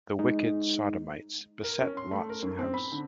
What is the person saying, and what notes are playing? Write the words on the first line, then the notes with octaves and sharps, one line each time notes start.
The wicked Sodomites beset Lot's house.
G#3 D#4
A#4
C#4
C6
A3
A#4
F#2
C4
B5
D3